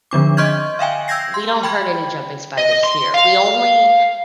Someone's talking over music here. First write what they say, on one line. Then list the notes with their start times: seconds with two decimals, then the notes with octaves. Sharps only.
We don't hurt any jumping spiders here. We only
0.11 D3 F3 D4 D6
0.37 D#5 C6 C#6 F6 G6 G#6
0.79 E5 F5 G5 G#5
1.08 E6 G6 G#6 A#6 C7
1.34 C6
1.63 G5 B5 G#6
2.58 D#5
2.84 C6
3.14 F5